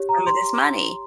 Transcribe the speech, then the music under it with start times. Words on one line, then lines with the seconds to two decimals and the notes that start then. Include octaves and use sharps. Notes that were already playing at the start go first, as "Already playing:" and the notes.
some of this money
Already playing: G4 C#5
0.09 A#5
0.27 C6